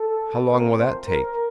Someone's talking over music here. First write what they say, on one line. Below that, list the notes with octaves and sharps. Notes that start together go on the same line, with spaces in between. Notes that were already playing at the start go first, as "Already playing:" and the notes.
"How long will that take?"
Already playing: A4
A#2 A3 C4 A#4
C5
A#4